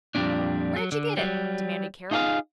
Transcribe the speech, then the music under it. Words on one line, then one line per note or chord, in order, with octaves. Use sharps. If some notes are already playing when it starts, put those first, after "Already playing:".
"Where'd you get it?" demanded Carroll.
F2 A#2 F3 G3 C#4 D4
F#3
D3
F#3 G3
D#4 F4 G#4 D5 F5